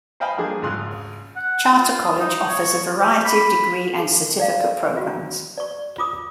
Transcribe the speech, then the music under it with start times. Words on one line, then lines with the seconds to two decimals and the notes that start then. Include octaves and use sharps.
Charter College offers a variety of degree and certificate programs.
0.20 C5 D#5 F5 G5 G#5 B5
0.37 F3 G3 A3 A#3 D4 G#4
0.62 G#1 C#3 F4 C6 D#6 F#6
1.36 F#5
1.71 F4
2.04 D#6
2.19 D#4
2.48 C#5
3.00 G4
3.25 B5
3.99 G#4
4.40 D5 F5
4.97 F4 F#4
5.58 D5 C#6
5.98 F4 D6 D#6